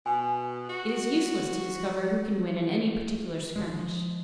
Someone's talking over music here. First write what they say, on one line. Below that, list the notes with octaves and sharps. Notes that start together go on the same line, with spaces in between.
It is useless to discover who can win in any particular skirmish.
B2 G#5
F#4
F3 G#3